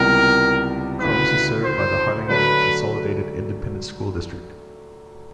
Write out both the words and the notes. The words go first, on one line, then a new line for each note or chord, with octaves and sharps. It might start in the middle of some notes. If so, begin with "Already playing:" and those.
Combes is served by the Harlingen Consolidated Independent School District.
Already playing: C#2 C3 E3 G3 B3 A#4
D2 C#3 E3 B4
C5
D3 F#3 A3 B4